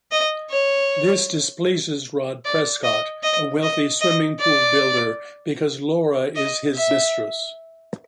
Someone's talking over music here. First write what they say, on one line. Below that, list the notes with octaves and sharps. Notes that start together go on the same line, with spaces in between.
This displeases Rod Prescott, a wealthy swimming-pool builder, because Laura is his mistress.
D#5
C#5
D5
D#5
D#5
D#5
D#5
D5
D#5
E5